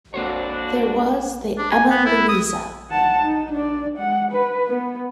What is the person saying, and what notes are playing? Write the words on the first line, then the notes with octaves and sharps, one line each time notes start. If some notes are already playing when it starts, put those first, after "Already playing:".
There was the Emma Louisa.
F2 A#3 D4 F#4 C5 C#5
D4
G#5
B3
E4
D#6
F#5 A5
D#4
D4 D5
G#3 F#5
B4
B3